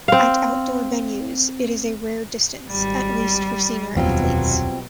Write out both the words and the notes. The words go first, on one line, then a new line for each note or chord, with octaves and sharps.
At outdoor venues it is a rare distance, at least for senior athletes.
C4 F5
G#1 G3
F1 A#1 D#2 B2 F#3 G3 C4 F4